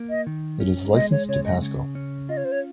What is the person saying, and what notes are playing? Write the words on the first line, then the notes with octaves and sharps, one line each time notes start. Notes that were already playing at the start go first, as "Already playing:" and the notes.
It is licensed to Pasco.
Already playing: A#3
D#5
D#3
C#4
G#3 D#5
C#5
C#3 C#5
D#5
C#3
C#4
F4 D#5
C#5
C5
C#5